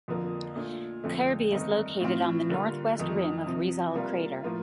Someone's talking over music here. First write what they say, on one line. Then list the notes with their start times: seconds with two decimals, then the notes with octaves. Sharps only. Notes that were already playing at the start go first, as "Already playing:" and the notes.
Kirby is located on the northwest rim of Rizal crater.
0.08 F2 D3 F3 A#3
0.55 A#2 A3 D4
1.04 F2 D3 A3 C4
1.52 G2 D#3 A3 C4 D#4
2.01 A2 F3 C4 F4
2.50 D3 G3 A#3 F4
2.98 F2 D#3 A3
3.46 C3 F3 C4
3.94 C3 G3 A#3 F4
4.43 A2 F3 A#3 F4